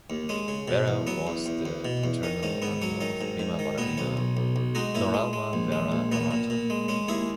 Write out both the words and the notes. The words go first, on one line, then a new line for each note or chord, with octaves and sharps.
Vera was the paternal uncle of Prima Ballerina Noralma Vera Arrata.
D#2
G#3 C#4
C#3
B2
E2
F#3 B3
E2
E2
E2
B2
E2
D#3 C#4
G#2 C#4
G#2 B3
F#3 C#4
D#3 C#4
G#2
G#2
D#3
A#2 B3
B1 C#4
B1
B1
B1
G#3 D#4 F#4
A#2 C#4 E4
G#3
G#3
A#1
G#3
A#1
A#2 B3
A#2
A#2
G#3
G#3 C#4
D#2 E4 G#4